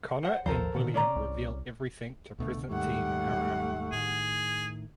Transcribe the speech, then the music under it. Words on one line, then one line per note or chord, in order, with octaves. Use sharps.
Connor and William reveal everything to Present Team Arrow.
C5 F#5
A1 D#2 F3 A4 A#4 C5
A#2 D3 D#3
C#4 D5 A#5
C2
C#2 B2 D3 A3
D#2 G#2 D#3 G3 A3 F#5
A2 D#3 G#4